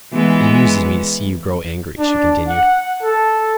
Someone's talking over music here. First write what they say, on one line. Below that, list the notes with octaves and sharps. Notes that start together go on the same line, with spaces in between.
"It amuses me to see you grow angry," she continued.
E3 G#3 B3
D4
F#5
A4